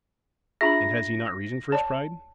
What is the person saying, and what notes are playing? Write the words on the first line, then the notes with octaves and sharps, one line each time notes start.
And has he not reason for his pride?
D4 F4 G#4 E5 A#5 B5 A#6
C#5 D5 A5